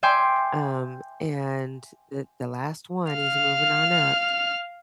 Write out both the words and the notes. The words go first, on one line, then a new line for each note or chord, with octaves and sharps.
um, and the the last one, he's moving on up,
E5 G5 G#5 C6 D6
F5 F6